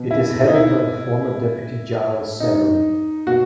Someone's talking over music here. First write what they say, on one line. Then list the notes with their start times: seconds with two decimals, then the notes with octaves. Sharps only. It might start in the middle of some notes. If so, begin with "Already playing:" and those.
It is headed by the former deputy Gilles Savary.
Already playing: B2
0.11 E4
0.40 E4
0.47 D#4
0.54 E4
2.40 D#4
3.27 B2 F#4